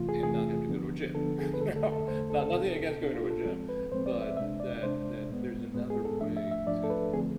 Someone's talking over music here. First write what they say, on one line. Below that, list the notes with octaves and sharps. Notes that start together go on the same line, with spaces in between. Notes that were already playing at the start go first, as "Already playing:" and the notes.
and not have to go to a gym, you know? Not nothing against going to a gym, but that that there's another way to
Already playing: E2 C3 E3 A3 F4
G#4
E2 C3 E3 A3 G#4
D3 F3 B3 D4
D3 F3 B3 D4 A4
G#4
B4
E2 D3 A3 A4
A4
A4
E2 D3 A3 C5
A4
A4
B2 B3 D4 A4
A4
B2 B3 D4
F4
A4
A2 F3 G#3 C4 A4
B4
A2 F3 G#3 C4 C5
D5
E5
C3 G#3 D4 E5
D5
C3 G#3 D4 C5
A2 G#3 B3
A2 G#3 B3
G#4
A4
G#2 F3 A3 D4 E5
E5
E5
G#2 F3 A3 D4 D5
A4
B4
D3 F3 A3 C4 G#4